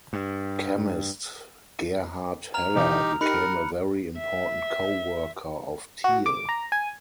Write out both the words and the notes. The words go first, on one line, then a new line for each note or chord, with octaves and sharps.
Chemist Gerhard Heller became a very important co-worker of Thiel.
G2
A#5 F6 F7
B2 E3 D#4 G4
D#4 G4 A#4 B5 F#6 C#7
E5
F#4
D6
A#5
G#5